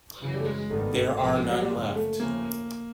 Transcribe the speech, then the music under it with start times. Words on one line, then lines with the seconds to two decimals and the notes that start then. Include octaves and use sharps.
There are none left.
0.20 F#2 C#3 E3
0.34 G3
0.39 A3
0.45 G#3
0.58 G#3
0.70 G#1 G2 D#3 G3 A3 B3
1.20 A#1 A2 F3 G#3 B3
1.51 F#3
1.61 G3
1.70 F#2 C#3 F3 G#3 A#3 C#4
1.95 A3
2.20 D#2 C#3 F3 A3 A#3 C#4